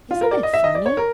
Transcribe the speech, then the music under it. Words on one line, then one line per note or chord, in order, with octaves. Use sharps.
Isn't it funny?'
F4
A#4
D5
D#5
E5
D#5
D5
C#5
A#4